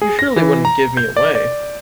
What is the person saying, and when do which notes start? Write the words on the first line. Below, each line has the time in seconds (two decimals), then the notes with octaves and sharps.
You surely wouldn't give me away?
0.02 G#4
0.19 A#6
0.36 E3
0.65 A#5
0.97 G6
1.16 D5
1.35 D5